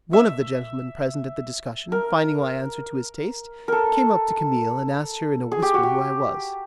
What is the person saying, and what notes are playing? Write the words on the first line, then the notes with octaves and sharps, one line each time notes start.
One of the gentlemen present at the discussion, finding my answer to his taste, came up to Camille, and asked her in a whisper who I was.
E5
A#4
A4 A#4
G#4
G4
F#4
G4